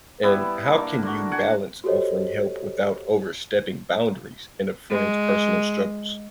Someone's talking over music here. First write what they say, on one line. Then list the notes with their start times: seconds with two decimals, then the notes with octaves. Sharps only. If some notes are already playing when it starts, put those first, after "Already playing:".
and how can you balance offering help without overstepping boundaries in a friend's personal struggles?
0.23 G3 B3 E4 B4
0.67 A#3 D4 D5 F#5
1.03 D3 F#4
1.32 F#4 F#5 G#5
1.84 F#4 G4 A4 C5 C#5 D#5
4.90 G#3